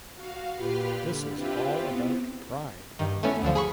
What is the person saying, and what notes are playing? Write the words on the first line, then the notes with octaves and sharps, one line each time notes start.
This is all about pride.
F#4 F5
A#2 F4 G4 B4 B5 F6
D3
C4 E4 F4 G4 B4
B3 C4
G2 D#3
A3 B3 C#4 E4
D2 D3 F3
G#4 B5 C#6